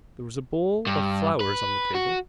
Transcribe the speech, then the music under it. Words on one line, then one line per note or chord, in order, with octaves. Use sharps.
There was a bowl of flowers on the table.
G2
B4
F#4